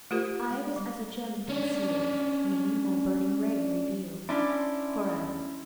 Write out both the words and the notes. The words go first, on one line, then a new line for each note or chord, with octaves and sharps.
"I was as a gem concealed; Me my burning ray revealed." Koran.
A3 F4 G4 A#4 C5
G#3
G3
C#4 D4
C#4 D4 E4 E5 C6